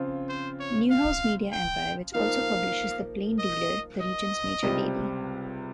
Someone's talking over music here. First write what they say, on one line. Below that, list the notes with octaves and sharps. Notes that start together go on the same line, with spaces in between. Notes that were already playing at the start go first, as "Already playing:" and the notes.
Newhouse media empire, which also publishes "The Plain Dealer", the region's major daily.
Already playing: C#3 F3 C4 F4
C5
C#5
F5
G5
F3 A#3 D#4 A#4 F5
D#5
D#5
C#2 C3 G3